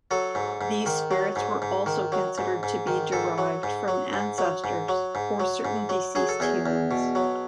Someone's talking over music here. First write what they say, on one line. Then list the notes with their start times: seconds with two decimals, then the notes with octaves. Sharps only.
These spirits were also considered to be derived from ancestors or certain deceased humans.
0.11 F#3 A4
0.35 G#2
0.61 G#2
0.86 D#3
1.11 F#3
1.36 G#2
1.62 G#2
1.86 D#3
2.12 F#3
2.38 G#2
2.63 G#2
2.87 D#3
3.12 G#2 A4
3.38 F#3
3.63 G#2
3.88 F#3
4.13 G#2
4.38 F#3
4.64 G#2
4.89 F#3
5.15 G#2
5.40 F#3
5.65 G#2
5.89 F#3
6.15 F#3 G#4
6.29 A4
6.40 E2 G#4
6.66 E2
6.91 B2
7.15 F#3